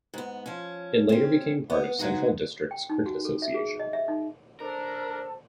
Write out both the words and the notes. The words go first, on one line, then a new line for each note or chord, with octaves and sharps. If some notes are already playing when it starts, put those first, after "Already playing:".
It later became part of Central Districts Cricket Association.
G#2 B3
F3 C#4
C4 C#4
B3
C#3 F#3 G#3 D#4 F#4
G5
D#4
F#4
A4
E5
G#4
D#5
E5
D#4
D4 A4 A#4 C5 A5